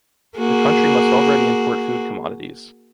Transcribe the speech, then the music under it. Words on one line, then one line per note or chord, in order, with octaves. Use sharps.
The country must already import food commodities.
A#3 F#4 G#4